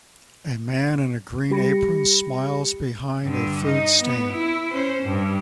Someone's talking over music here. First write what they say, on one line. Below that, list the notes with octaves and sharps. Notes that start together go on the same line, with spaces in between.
A man in a green apron smiles behind a food stand.
G3 G4 B5 A#6 C#7
G2 D3
D#4
B3
E4
C#4 C5
G2